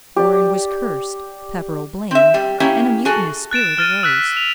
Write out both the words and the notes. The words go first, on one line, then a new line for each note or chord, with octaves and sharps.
Warren was cursed, Pepperrell blamed; and a mutinous spirit arose.
G4 D5
C4 E5
G3
A#3 C#4 E4 G4
F#4 G#4 A4
F#6 A6 D7 E7
F6 A6 D#7
E6 F#6 B6
F7